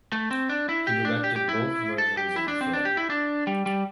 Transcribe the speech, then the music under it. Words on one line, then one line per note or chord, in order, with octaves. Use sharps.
He directed both versions of the film.
A3
C4
D4
E4
G4
D4
G4
G4
E4
A4
G4
E4
D4
C4
D4
G4
E4
D4
G3
G3